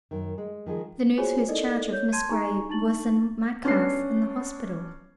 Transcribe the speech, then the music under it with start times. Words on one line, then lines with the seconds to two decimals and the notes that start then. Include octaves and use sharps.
The nurse who has charge of Miss Grey was in my class in the hospital.
0.11 F#2 D#3
0.38 G#3
0.66 D#3 F3 G#3 G#4
1.17 F4 F#4 G#4 C5 C#5 G#5
1.48 D#4 E4 A4 A#4 D5 D#5
1.92 C#5 G6
2.12 A5 C6 G#6 D#7
2.30 D#4 G#4 G#5 A#5 C#6
2.69 D4 D#4 A5 C#6 A6 F#7
3.63 B3 C#4 D4 C7